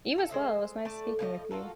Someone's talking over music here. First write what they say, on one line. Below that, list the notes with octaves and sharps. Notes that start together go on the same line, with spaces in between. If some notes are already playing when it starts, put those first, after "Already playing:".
You as well. It was nice speaking with you.
F4 A4
G#3 C5 D#5 E5
A3 D5 A5
A2 F3 F4 D#5
F4 F#4 A4 A#4